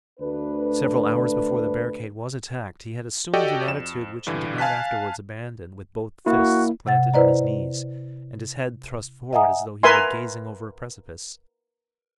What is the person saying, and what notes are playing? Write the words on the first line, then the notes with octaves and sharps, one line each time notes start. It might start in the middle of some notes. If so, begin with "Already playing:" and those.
Several hours before the barricade was attacked, he had assumed an attitude which he did not afterwards abandon, with both fists planted on his knees and his head thrust forward as though he were gazing over a precipice.
D2 D4 B4
F#4 G4 A4 D5 D#5 G5
F2 E7
G2 D3 E3
F5 G#5 A5 F#6 B6
A#3 E4 F#4
C3 F#5 A6
E4 B4 C5 D5 D#5 A#5
D#5 E5 F#5 G#5 A#5 D#6
A#4 B4 E5 G#5 C6